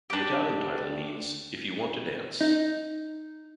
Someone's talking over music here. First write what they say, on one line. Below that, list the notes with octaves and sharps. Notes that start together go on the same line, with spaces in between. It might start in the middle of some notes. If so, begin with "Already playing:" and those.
The Italian title means "If you want to dance".
D4 G4
D#4